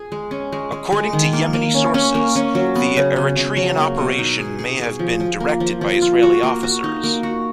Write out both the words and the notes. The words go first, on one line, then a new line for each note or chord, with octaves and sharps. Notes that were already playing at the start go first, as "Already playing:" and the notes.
According to Yemeni sources, the Eritrean operation may have been directed by Israeli officers.
Already playing: G#4
G#3
C#4
G#3
G#3
G#3
D#3
A#3
A#3
C#4
C#4
A#3
C#4
F#3
B3
C#3
C#3
C#3
F#3
A#3
B2
D#4
G#4
G#4
G#4
F3
F3
A#3
F3
F3
F4
F#4
A#3
F#4
D#4
A#3
F#4